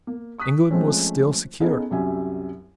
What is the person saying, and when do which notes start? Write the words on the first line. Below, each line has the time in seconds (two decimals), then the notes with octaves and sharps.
England was still secure.
0.07 A#3
0.38 C#6 D#6 F#6 B6
0.71 F3 G#3 A3 C4 C#4
1.60 B3 C#4 D#4 G#4 A4 F5
1.90 C2 F#2 F#3 G3 E5 G#5